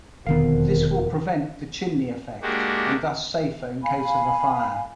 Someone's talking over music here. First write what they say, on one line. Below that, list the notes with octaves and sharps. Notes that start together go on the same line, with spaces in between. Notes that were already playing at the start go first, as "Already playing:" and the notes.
This will prevent the 'chimney effect', and thus safer in case of a fire.
E1 F2 B2 D3 D#3 B3 A#4 F5
G#3 A#3 D4 F#4 G4
F5 G#5 B5